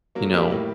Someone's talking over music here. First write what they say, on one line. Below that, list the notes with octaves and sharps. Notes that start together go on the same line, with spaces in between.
you know
F#3 A#3
A3
G3 A#3 G4
A2